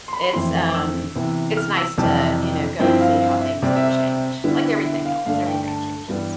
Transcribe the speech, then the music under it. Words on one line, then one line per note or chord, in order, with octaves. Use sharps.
it's, um, it's nice to, you know, go and see how things do change, like everything else, everything changes.
C6
B5
B5
F2 E3 A3 C4 E4 C6
D6
E6
C3 E3 B3
F6
E6
F2 C3 E3 G3 A5
G2 F3 C4 E4 G5
F5
F5
E5
C3 G3 C4 D5
E5
E5
D3 G3 B3 E4
E5
F5
G2 D3 A3 D4 F5
G5
G5
A5
G2 E3 G3 B3